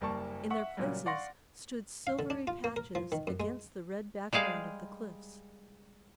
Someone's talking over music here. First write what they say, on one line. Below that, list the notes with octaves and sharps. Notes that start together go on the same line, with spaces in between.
In their places stood silvery patches against the red background of the cliffs.
F#1 G3 A#3 A5 C#6
E5 F#5 C#6
A#2 C#3 F#3 G3
D5 F5 F#5 C6 C#6 A#6
F5
D3
D4
F4
A#3
A#4
F3
D#3
F#2
G#3
G3 G#3 G#4 F5